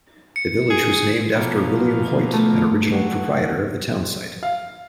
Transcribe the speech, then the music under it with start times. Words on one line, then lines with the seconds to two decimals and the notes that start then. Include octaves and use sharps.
The village was named after William Hoyt, an original proprietor of the town site.
0.36 C#7
0.70 G#4
1.35 B2 F3 A#3
2.34 A3
2.92 F#3
4.43 F5